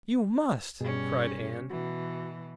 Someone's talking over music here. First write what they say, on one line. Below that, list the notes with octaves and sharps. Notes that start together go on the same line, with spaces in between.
"You must!" cried Ann.
G2 B2 G3 C#4 G#4
B2 E3 F#4